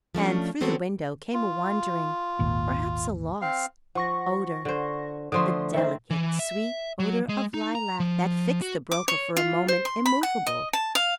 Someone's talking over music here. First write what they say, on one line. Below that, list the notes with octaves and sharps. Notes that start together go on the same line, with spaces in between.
And through the window came a wandering--perhaps a lost--odour--a delicate, sweet odour of lilac that fixed the broker for a moment immovable.
F3 A3 C#4 D4
E3 B3 C4 F#4 A4 C#5
F4
G#1 D#2 A#2
C4 F5
F3 F#5 C#6 A#6
D3 C5
D3 F3 A3 C6 D#6
D#3 C4 C5 E5
E3
E5
F#3
G#3
D#4
A#5
F3
F#4
D6
C#5
F4
C5
C6
B5
F#5
D#5
A5
F5